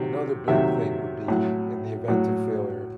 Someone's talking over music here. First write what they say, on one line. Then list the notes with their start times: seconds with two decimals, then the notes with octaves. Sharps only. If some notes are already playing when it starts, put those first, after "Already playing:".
another big thing would be in the event of failure,
Already playing: C3 D#3 F#3
0.48 C3 D#3 F#3 E5
1.28 A2 F#3
2.08 A2 F#3